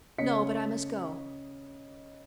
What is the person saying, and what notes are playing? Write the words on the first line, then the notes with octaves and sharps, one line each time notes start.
"No, but I must go."
C#3 C#5 D#5 B6 C#7